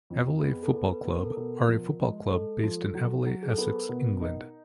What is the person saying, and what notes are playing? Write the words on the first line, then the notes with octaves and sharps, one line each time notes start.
Aveley Football Club are a football club based in Aveley, Essex, England.
F2
B3 G#4
A4
B3
B4
B3 B4
A#4
A4
B2 A#4
F3
G#3
G#3 A4
F3
F#3
F#3
G#4
A4
B3 A#4
B2
D#4